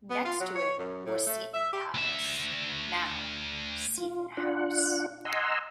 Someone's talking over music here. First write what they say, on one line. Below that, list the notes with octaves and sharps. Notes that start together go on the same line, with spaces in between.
Next to it was Seton Palace, now Seton House.
B3
F4
F#3
C#5
F#2
A2
A3
E5
G4
D2 E5
F4
D4 F4 F#5
D#5 F#5 G#5 A#5 C6 E6